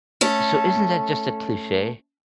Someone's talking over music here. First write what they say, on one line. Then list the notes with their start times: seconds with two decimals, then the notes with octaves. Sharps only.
Eh so, isn't that just a cliche?
0.21 A3 C#4 A4